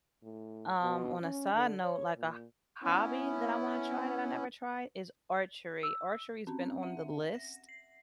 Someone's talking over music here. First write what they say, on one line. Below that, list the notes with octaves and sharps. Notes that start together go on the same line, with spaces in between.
Um, on a side note, like a h hobby that I wanna try that I never tried is archery. Archery's been on the list
A2
B2
C#4
D3
C#5
A#2
B3 C#4 E4
E6
C4 C#4
E5 F#5
A#6
C7